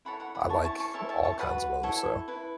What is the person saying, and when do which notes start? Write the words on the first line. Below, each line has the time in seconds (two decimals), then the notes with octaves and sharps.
I like all kinds of 'em, so,
0.05 E4 A4 C#5 F#5 B5
0.20 F#5 B5
0.35 F#5 B5
0.49 E4 C#5 A5 C#6
0.65 A5 C#6
0.79 A5 C#6
0.94 E4 A4 C#5 E5 A5
1.09 E5 A5
1.24 A5 C#6
1.38 F#4 B4 F#5 B5
1.83 E4 A4 C#5
2.28 E4 B4